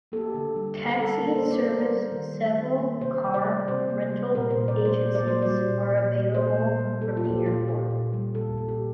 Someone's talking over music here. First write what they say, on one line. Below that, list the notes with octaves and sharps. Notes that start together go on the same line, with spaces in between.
Taxi service several car rental agencies are available from the airport.
A#3 G4 A4
D3
G3
D3
G3 A4
A#4
A#3
C5
A#3
D5
C5
A#3 A#4
C5
G3
D#3
G3
D#3
A#3
C3 C5
G3
D5
G3
C3 C5
A#3
G3
A#2 A#4
C5
A#2
D5
G3
C5
A#2
D5
A#3 C5
G3 D5
A#2
A#2
A#2
A#3 C5
A#2
G3
A#2 A4
F4
A#3 G4
A#2 F4
A#2 G4
A#2
G3
A#2 A4
A#2
G4